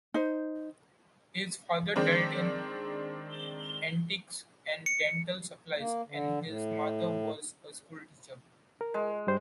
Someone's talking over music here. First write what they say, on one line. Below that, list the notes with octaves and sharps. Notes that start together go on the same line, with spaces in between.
His father dealt in antiques and dental supplies, and his mother was a schoolteacher.
D#4 C5
D#3 G#3 C4 D4
C#7
A#3
D3
A2
A#4
G#3
G2 G3 C5